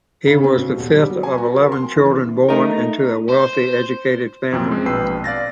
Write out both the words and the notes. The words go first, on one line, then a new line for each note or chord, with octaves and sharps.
He was the fifth of eleven children born into a wealthy, educated family.
C#3
C4
B2
D#1
G3
F#3
G#5
F#4
A#4
C6
E3
A3 D#4 A#4
C5
F#2 C3 F3 C4
G#3 C4
A#1 B2 B4 G5 E6 C7
D5 F5 A6 A#6